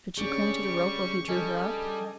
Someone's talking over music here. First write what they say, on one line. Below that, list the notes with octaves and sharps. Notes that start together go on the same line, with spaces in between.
Could she cling to the rope while he drew her up?
G3 C#4 D4 G#4 C#6
G3 A4 D#5 G#5